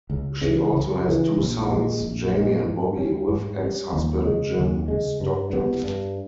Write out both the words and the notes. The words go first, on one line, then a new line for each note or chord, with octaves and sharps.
She also has two sons, Jamie and Bobby, with ex-husband Jim Stockton.
C#2
C#3 E3
C#2
C#3 E3
A#1
A#2 G#3
A#1
A#2 G#3
G#2
G3 C#4
G#2
G3 C#4
D#2
C#3 G#3
D#2
C#3 G#3
G2
G3 B3
G2